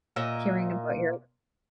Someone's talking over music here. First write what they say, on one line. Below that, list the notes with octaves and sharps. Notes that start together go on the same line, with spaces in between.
hearing about your
A#2 D#5 E5